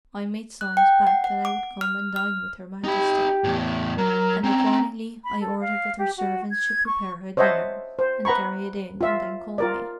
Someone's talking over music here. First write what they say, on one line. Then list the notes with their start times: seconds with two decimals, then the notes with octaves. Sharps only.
I made signs back that I would come and dine with her majesty; and accordingly I ordered that her servants should prepare her dinner, and carry it in, and then call me.
0.61 F#6
0.77 G5
1.07 F#5
1.24 F#5
1.45 D6
1.81 F6
2.16 F6
2.84 D#4 G4 B5
3.44 E2 A2
3.98 F#3 A#4
4.44 C4 C#4 A#5
5.24 B5
5.40 A4
5.60 F5
5.98 G4
6.17 F#4
6.50 G#6
6.86 C#6
7.37 C5 C#5 D#5 E5 F#5 A5
7.99 C5
8.25 B4 F#5 A#5 B5 C#6
9.01 F4 E5
9.58 F4 A#4 D5